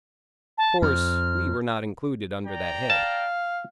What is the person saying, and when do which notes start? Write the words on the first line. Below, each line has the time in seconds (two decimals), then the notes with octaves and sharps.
Of course, we were not included under that head.
0.58 A5
0.82 F2 F6
2.47 D5 G5 A#5
2.90 F5 A5